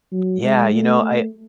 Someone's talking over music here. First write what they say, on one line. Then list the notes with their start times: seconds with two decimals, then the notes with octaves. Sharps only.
Yeah, you know, I
0.12 F#3
0.42 G#3
0.72 A3
1.02 A3